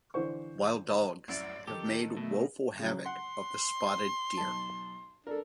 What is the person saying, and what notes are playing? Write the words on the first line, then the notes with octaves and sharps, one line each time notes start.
Wild dogs have made woeful havoc of the spotted deer.
D3 E3 C5 C#6
C2 F#2 E4 D5
D#3 G4 A4
B2 A3
C#3 F#3
F#5 C6
B1 A5
D4 A4 A#4